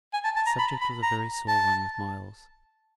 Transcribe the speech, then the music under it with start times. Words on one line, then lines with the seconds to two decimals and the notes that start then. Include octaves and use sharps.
The subject was a very sore one with Myles.
0.14 G#5
0.24 A5
0.36 A5
0.47 A#5
0.59 B5
0.81 B5
1.03 A#5
1.48 A5